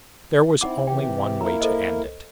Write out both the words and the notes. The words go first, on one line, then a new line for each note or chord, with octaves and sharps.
There was only one way to end it.
C4 D#4 E4 F#5 D6
C3 E3 G4 G5
A#3 E4 A#4 A#5
A4 C5 D#5